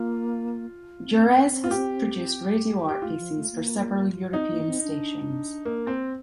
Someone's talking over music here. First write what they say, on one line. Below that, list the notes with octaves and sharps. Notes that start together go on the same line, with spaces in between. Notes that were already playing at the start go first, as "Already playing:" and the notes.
Jerez has produced radio art pieces for several European stations.
Already playing: A#3 F4
C4
F4
G4
G4
A3 F4
F3
A3
A#3
C4 D#4
A#3
C4
D4
A#3
C4